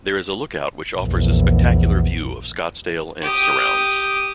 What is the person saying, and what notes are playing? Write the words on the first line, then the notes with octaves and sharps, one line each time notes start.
There is a lookout which offers a spectacular view of Scottsdale and its surrounds.
A#1 E2
G4 D#6